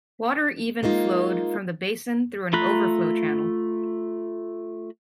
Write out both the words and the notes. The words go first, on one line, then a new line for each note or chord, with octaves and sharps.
Water even flowed from the basin through an overflow channel.
G#3 A#3 D#4 F4
A3 F4 A#5 B5 F#6